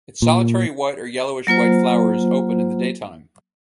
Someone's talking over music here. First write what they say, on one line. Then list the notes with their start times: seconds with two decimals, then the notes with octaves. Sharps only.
Its solitary white or yellowish white flowers open in the daytime.
0.22 A#2
1.47 F#3 A#3 F4 C5